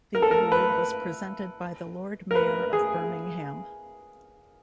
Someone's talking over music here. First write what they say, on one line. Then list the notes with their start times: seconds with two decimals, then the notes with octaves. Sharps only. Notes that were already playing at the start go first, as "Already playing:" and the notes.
The award was presented by the Lord Mayor of Birmingham.
0.15 A#4
0.22 A4
0.31 A#4
0.52 B4
2.31 A#4
2.35 B4
2.73 G#4